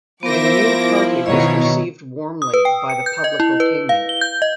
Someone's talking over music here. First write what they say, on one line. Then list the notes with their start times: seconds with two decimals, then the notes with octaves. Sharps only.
The new party was received warmly by the public opinion.
0.23 F3 B3 A#4 C5 E5 D6 A#6
0.60 E4
1.26 B2 D#3 C#5 D#5 A#5
2.42 D#6
2.54 B4
2.65 G5
2.90 C#7
3.06 G6
3.24 D#5
3.40 E4
3.60 B4
3.89 F5
4.09 G7
4.21 G6
4.42 D#5